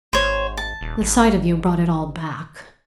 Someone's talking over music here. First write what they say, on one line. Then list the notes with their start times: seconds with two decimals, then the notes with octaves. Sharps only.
The sight of you brought it all back.
0.13 G#1 C5 C#5
0.57 A5
0.81 D#1
1.01 G#1